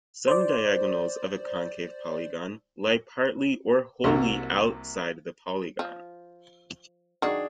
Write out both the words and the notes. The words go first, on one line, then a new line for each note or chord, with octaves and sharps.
Some diagonals of a concave polygon lie partly or wholly outside the polygon.
C5 D5
C2 C3 A#3 F#4 C6
F3
D#3 D4 F#4 G#4